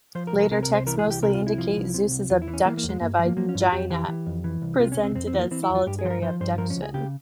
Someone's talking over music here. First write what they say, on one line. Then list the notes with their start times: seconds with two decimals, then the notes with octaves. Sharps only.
Later texts mostly indicate Zeus' abduction of Aegina, presented as a solitary abduction.
0.15 F3 C5
0.27 A#4
0.33 C2
0.39 A#4
0.51 C3 A#4
0.63 A#4
0.69 C2
0.75 C5
0.87 E3 A#4
0.99 G#4
1.05 C2
1.10 G4
1.22 C3 A#4
1.34 F4
1.41 C2
1.47 E4
1.58 F3
1.76 C2
1.94 C3
2.11 C2
2.30 E2 F4
2.42 E4
2.48 E3
2.54 C#4
2.65 E3 A#3
2.77 A#3
2.83 E2
2.89 G#3
3.01 G2 A#3
3.19 F3
3.25 A#3
3.37 F3 A#3
3.49 C#4
3.55 G2
3.60 F4
3.72 F2 G4
3.90 E3 G4
4.08 E3
4.26 F2
4.44 E3
4.62 C2
4.80 C3 F4
4.92 C#4
4.98 C2
5.03 C4
5.15 F2 C4
5.27 C4
5.33 E3
5.39 A#3
5.51 E3 C4
5.63 E4
5.69 F2
5.75 F4
5.87 G2 G4
5.99 G#4
6.05 F3 C5
6.10 A#4
6.22 F3 C5
6.40 G2 C5
6.58 F3 A#4
6.70 C#4
6.76 C#2
6.82 G#4
6.94 C#3 G4